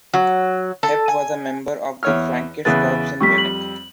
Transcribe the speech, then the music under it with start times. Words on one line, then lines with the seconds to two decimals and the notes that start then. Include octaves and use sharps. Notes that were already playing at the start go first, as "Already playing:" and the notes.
Hepp was a member of the Frankish Corps in Munich.
0.14 F#3
0.83 A4
1.08 G#5
2.03 E2 C#5 F6
2.65 E2 C#3 B4 A6
3.20 F2 G3 C#6 B6
3.38 F#7